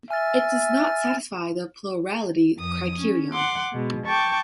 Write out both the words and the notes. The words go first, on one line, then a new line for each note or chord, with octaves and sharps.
It does not satisfy the plurality criterion.
E5 G#5 F6 A6
F2 D#6
C#4
F#5 C6 D6
B2 G#3
G5 A5 C#6 D6